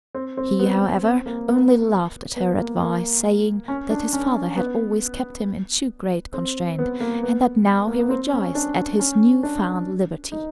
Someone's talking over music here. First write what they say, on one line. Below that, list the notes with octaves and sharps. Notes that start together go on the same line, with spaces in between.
He, however, only laughed at her advice, saying, that his father had always kept him in too great constraint, and that now he rejoiced at his new-found liberty.
C4
C4
B3
C4
A#3
B3
B3
A#3
A#3
C#4
D4
C#4
B3
C4
B3
A#3
B3
A#3
B3
C4
C#4
D4
C#4
D4
D#4